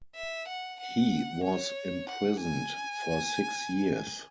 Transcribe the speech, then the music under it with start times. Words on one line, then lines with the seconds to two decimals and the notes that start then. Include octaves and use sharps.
He was imprisoned for six years.
0.16 E5
0.48 F#5
0.80 F#5
1.44 C#5
2.09 F#5
2.41 G#5